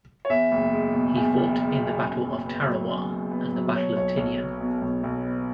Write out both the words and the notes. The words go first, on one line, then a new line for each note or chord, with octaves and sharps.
He fought in the Battle of Tarawa and the Battle of Tinian.
C#5
E2 E5
F#1
G#3
B2
E2
F#1
G#3
B2
F#2
F#1
B3
F#3
F#2
F#1
B3
F#3
B2 C#5
B1 C#5
B1
B3
B2
B1
B1
B3